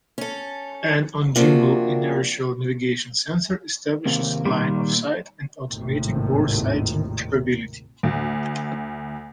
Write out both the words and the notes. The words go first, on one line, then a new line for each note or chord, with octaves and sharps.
An on-gimbal inertial navigation sensor establishes line-of-sight and automatic boresighting capability.
C#4 A4
C3 F3 A#3 D4 F#4
D#2 C3 A#3
A#2 D#3 G3 A#3 C6
G#1 D#2 A2 C3 D#3
D2